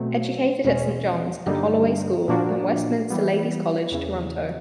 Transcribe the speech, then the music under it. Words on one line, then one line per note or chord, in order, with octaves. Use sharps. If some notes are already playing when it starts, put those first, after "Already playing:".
Educated at Saint John's at Holloway School and Westminster Ladies' College, Toronto.
Already playing: B2 F#3 A3 C4
E2 B2 G#3 C#4
G2 D3 G3 A#3 D#4
A#2 F3 A#3 D4 F#4
E3 G3 B3
E2 C#3 E3